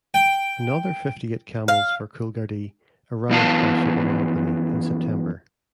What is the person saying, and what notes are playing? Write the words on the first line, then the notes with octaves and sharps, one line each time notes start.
Another fifty-eight camels for Coolgardie arrived by ship in Albany in September.
G5
F5
F#2 E3 B3 F5 A5